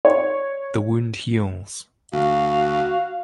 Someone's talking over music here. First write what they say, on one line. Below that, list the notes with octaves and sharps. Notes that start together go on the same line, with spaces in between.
The wound heals.
C#5
D2 F#4 F5